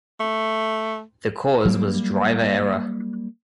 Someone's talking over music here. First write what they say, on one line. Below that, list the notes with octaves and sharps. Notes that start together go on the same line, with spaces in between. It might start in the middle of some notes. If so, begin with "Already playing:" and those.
The cause was driver error.
A3
F#3 G3 A#3